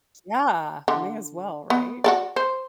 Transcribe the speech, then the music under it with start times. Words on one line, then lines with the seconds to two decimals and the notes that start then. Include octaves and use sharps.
Yeah, may as well, right?
0.88 D3
1.70 B3
2.04 F#4 A4 D5
2.36 C5